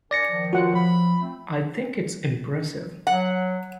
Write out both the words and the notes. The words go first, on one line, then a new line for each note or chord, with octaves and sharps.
I think it is impressive.
D4 A#4 D5 G#5 A#6 C#7
D#3 F3
F4 F#4 C#5 F#5
F3 B5
A3 C4
F#3 F#5